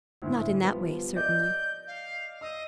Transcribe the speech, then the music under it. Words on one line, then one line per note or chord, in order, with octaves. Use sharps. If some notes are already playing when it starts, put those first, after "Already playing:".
"Not in that way, certainly."
D2 A2
F3 G3 B3
D5 D#5 G6
F5
D#5 E6